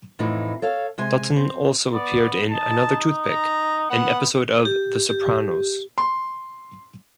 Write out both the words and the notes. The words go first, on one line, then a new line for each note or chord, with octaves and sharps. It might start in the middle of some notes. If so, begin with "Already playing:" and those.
Dutton also appeared in "Another Toothpick," an episode of "The Sopranos".
F2 A2 E3 D#4
A4 C#5 F5
C3 G#3 G#5
C4
B3 D5
D#4 A5
A#5
B3 F#5
G4
G4
C6